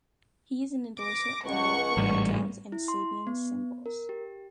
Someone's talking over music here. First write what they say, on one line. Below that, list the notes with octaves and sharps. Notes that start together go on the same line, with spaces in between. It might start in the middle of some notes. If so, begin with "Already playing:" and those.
He is an endorser of Ludwig Drums and Sabian cymbals.
D6 A#6
C#2 F#5 C#6
A1 G#2 G3
E4
C6
B3
A#4
G4